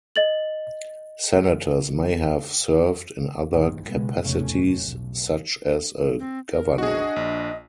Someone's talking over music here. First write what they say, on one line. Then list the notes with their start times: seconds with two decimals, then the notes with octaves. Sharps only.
Senators may have served in other capacities, such as a governor.
0.16 D#5 A6 F#7
3.48 A#1 G2 D#3
3.89 B1 C#3 G#3 B3
4.21 F1 E2 A2 C#3 A3 C#4
4.79 B1
6.19 C4
6.51 A#4
6.78 D4 F#4 G#4 D#5
7.16 A#1